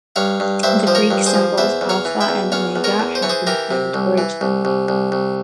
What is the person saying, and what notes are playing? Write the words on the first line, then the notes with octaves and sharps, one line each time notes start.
The Greek symbols "alpha" and "omega" had been planned originally.
G2 C#5 F5
G2
G2 C5 E5
F3 C5
A#4 C#5
G2
G#4 C5
F3
E2 C5 E5
E2
C#5 F5
E3
E5 G5
E2
E2 C#5 F5
E2
A#4 C#5
E2
C5
E3 C#5
G#4 C5
E3 G4 A#4
C3
C2
E3
C2
C2
C2
C2